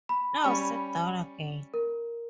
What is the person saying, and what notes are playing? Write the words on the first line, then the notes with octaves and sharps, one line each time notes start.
Now sit down again.
B5
G3 C#4 C#5
A#4